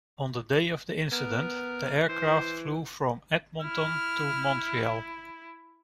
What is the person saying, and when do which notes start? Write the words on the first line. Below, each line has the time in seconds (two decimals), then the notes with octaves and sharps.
On the day of the incident, the aircraft flew from Edmonton to Montreal.
1.12 B3 A#4
2.09 E3 C5
3.61 E4 F6